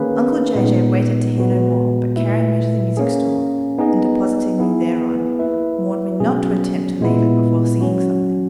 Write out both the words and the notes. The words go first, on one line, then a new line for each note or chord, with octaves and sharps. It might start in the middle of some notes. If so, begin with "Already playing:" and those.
Uncle Jay-Jay waited to hear no more, but carrying me to the music-stool, and depositing me thereon, warned me not to attempt to leave it before singing something.
Already playing: D#3 A#3 C#4 G#4 B4
A#2 G#3 B3 D#4
A#2 G#3 B3 F#4 B4
A#2 A#3 E4 B4 E5
A#3 C#4 G#4
B3 D#4 G#4 D#5
B3 E4 G#4 B4
A#3 E4 B4 E5
B2 F#3 C#4 G#4
A#2 G#3 B3 E4
F#3 C#4 F#4